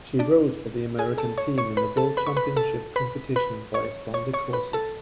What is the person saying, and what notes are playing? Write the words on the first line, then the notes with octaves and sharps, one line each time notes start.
She rode for the American Team in the World Championship competition for Icelandic horses.
D4 D5
G#4 G#5
A4 A5
C#5 C#6
C#5 C#6
B4 B5
A4 A5
B4 B5
C#6
B4 B5
A4 A5
B4 B5
B4 B5
C#5 C#6
C#5 C#6
C#5 C#6
B4 B5
A4 A5